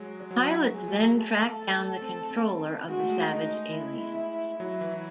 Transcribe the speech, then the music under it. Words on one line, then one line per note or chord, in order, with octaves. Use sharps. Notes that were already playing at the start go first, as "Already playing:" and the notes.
The pilots then track down the controller of the savage aliens.
Already playing: F#3 G#3
F#3 F#4
G#4
A3
A4
C4
C4
G#3 F#4
A3
G#3
D#4
E4
F#3 E4
E3